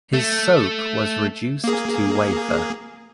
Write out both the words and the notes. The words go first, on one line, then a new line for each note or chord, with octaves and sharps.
His soap was reduced to wafer.
A3
A#3 G#4